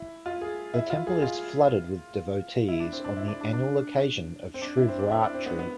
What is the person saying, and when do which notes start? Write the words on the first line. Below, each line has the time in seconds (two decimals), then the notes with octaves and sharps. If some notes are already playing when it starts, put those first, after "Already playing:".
The temple is flooded with devotees on the annual occasion of Shivratri.
Already playing: E4
0.26 F4
0.41 G#4
0.74 E4
0.90 F4
1.07 G#4
1.22 F4
2.68 E4
2.80 D4
2.93 C4
3.04 D4
3.17 E4
3.28 D4
3.41 D4
3.53 D4
4.54 C4
4.62 D4
4.77 E4
4.88 C4
4.99 D4
5.09 E4
5.22 D4
5.34 C4
5.46 B3
5.59 B3